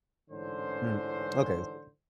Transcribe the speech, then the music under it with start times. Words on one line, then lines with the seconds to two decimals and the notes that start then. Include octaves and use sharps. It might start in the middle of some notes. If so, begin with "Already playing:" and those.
Mm. Okay, I see
0.30 A1 G#2 D3 E3 C#4 C5